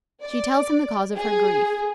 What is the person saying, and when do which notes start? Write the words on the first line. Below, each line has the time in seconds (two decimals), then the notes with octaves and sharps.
She tells him the cause of her grief.
0.22 D5
1.16 G#4